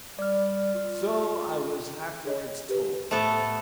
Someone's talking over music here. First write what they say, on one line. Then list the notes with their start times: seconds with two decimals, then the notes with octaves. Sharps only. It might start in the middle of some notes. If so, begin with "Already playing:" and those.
So I was afterwards told.
0.19 G3 D5 F6
0.75 F4
2.25 G#4 C#5 D#5
2.69 G4 B4
3.11 A2 A3 B3 A4 C5